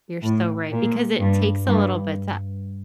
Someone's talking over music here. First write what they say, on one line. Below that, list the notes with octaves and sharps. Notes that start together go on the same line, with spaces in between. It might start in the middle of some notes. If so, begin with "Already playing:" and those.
You're so right, because it takes a little bit to
A2
A#2
G2
G2